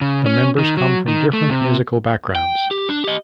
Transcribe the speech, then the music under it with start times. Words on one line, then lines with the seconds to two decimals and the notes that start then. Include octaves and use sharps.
The members come from different musical backgrounds.
0.01 C#3
0.26 C#4
0.58 D#3
0.77 F#3
1.08 D#3
1.33 A3
1.50 C3
2.36 G5
2.71 G4
2.89 D4
3.04 G4 D#5